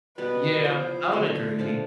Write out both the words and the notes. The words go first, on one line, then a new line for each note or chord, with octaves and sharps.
Yeah, I would agree.
B2 G3 B3 B4
F3 B3 E4 C5
D3 A3 D4
F3 A3 D4 F4